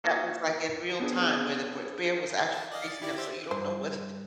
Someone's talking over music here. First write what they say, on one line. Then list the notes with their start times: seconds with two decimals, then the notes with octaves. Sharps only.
that was, like, in real time where the br bear was actually chasing him, so you don't know whether
0.04 A#3 D#4 F#4 D#5 A5
0.99 B3 C4 D4 G#4
2.54 A5
2.72 D5 D#5 F5
2.88 A6
3.02 E4 G4 D5
3.17 G4 C5 E5
3.51 G2 C5